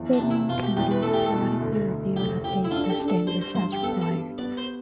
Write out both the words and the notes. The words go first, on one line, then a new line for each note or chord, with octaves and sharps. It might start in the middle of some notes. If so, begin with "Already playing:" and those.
Standing committees periodically review and update the standards as required.
Already playing: E2 F3
D4
C3
E4
B2 F4
G4
E2 G4
B4
A3 A4
G4
A4
B2
D2
D2
F1 G4
F1 G4
E4
D4 F4
A4
G4
D4
A4
G3 C5
C5
G2 C5
G4
B3 A4
A4
G3
B3 D5
C5